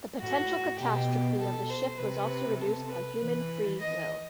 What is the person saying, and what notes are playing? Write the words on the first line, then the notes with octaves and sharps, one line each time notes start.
The potential catastrophe of the shift was also reduced by human free will.
A2 F#4
B2 G4
A4
C5
C3 B4
A4
B4
E3 B4
D#5